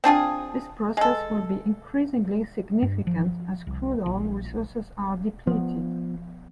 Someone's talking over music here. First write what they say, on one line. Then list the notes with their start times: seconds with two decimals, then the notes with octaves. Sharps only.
This process will be increasingly significant as crude oil resources are depleted.
0.04 C4 D4 F4 G#4
0.97 G#3 A4
2.82 G2
3.07 F3
3.67 C2
4.06 A#1
5.47 F3 B3